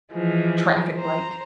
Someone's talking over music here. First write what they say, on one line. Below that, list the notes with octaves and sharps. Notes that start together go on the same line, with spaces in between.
traffic light?
E3 F3 G#3
C5 A#5